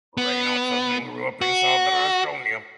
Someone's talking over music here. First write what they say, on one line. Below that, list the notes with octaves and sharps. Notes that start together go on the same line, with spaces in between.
Rein Otsason grew up in southern Estonia.
B3
F#4